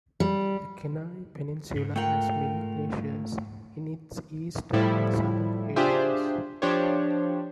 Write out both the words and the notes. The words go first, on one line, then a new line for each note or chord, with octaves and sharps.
The Kenai Peninsula has many glaciers in its eastern and southern areas.
G3
G#2
A3 F4 A#4 F#5 G5
A2 F3 G3 E4 A4
D4 F4 G4 G#4 C5 E5
F3 D4 G4 C5 C#5